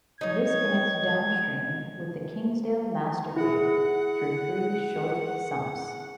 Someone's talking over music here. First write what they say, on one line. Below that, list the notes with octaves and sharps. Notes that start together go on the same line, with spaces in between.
This connects downstream with the "Kingsdale Master Cave" through three short sumps.
D#4 C#5 G#6
E4 G#4 F#5